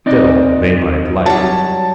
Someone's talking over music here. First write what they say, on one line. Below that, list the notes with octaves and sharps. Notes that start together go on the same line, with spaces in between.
Still they might like.
C3 C4 D#4 D5 D#5
F#3 G3 A5